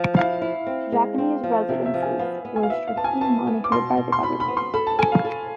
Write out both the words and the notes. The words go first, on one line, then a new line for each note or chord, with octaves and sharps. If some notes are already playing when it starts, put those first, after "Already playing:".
Japanese residences were strictly monitored by the Government.
Already playing: F3
E4 F5
E4
C4
G#3
C4
F3
C3 E5
E5
F3
G#5
B3 F5
B3
G#5
F5
B3 E5
F5
B3 A5
G#5
B4 A5
B3
D6
B2 C6
B2
C6
B2 B5
B5
B3
C6
A4 B5
A5
A4 G#5
F5
A4